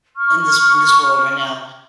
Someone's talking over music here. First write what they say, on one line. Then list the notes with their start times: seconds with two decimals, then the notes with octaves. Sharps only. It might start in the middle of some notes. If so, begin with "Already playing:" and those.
in this in this world, right now.
0.16 C#6 F6